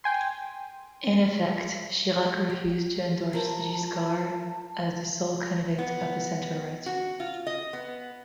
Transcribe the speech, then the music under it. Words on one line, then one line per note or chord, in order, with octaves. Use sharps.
In effect, Chirac refused to endorse Giscard as the sole candidate of the centre-right.
G5 G#5 C6
G4
F3 A#4 A5
B3
F#4
F4
D#5
B3